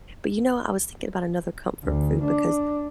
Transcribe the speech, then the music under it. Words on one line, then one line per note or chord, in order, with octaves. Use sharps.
But you know what? I was thinking about another comfort food, because
D2
D4